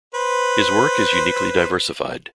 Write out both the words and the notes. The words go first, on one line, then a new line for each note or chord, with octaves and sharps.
His work is uniquely diversified.
B4 C5